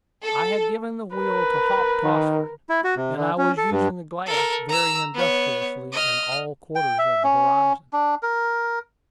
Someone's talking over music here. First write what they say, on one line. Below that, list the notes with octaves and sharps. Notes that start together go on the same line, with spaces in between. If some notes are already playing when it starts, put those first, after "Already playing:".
I had given the wheel to Hop Tossford, and I was using the glass very industriously in all quarters of the horizon.
A4
A#4 B4
D#3
E4
F#4
C3
D3
C#4
A4
G2
A4 A#4
A#5 E6
B3 C#5
D#5 F6
G5
E5
C#4
D4
A#4